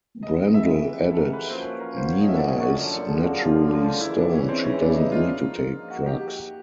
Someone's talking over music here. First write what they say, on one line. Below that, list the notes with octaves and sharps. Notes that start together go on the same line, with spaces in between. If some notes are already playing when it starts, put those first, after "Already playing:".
Brendel added, Nena is naturally stoned, she doesn't need to take drugs.
F2 C3 E3 G#3 B3 D#5
D#5
E5
A4
A#4
B4
F3 A#3 C#4 F#4 C5
B4
A#4
C5
C#5
D#5
E5
D5
D#5
D5
F#2 D3 F3 A#3 D4 C#5
A4
G#4
F#4
F4
C#2 C#3 E3 E4
D4
C#4
C4
C#4
D4
D#4
F4
G#2 F3 A#3 D#4
F#4
G4